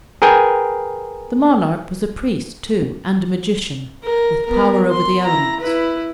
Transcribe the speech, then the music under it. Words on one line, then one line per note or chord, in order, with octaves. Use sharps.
The monarch was a priest too, and a magician, with power over the elements.
G#4 A#4 B4 G5 G#5
A#4
B3 A#4
C6
E4 A#5
E4 B4